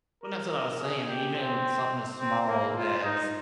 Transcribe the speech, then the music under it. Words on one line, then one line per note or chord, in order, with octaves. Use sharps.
Well, and that's what I was saying, that even something as small as,
A#4
A#4
G#4
G4
C4
C4
A#3
F4
D#4